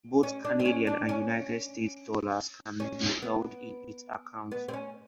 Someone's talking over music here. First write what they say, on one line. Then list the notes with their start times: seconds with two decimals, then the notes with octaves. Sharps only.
Both Canadian and United States dollars can be held in its accounts.
0.23 C#4
0.45 D4
0.60 C4
0.65 C#4
0.87 D4
1.09 C#4
2.80 C#4
3.22 B3
4.52 B3
4.68 C4
4.73 C#4